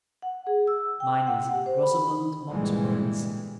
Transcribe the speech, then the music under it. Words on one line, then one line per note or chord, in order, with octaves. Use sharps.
Mine is Rosamond Montmorency.
F#5
G#4
E6
G5
F#5
G4
C5
B5
D#4
G1 A#2 E3 G3 G#3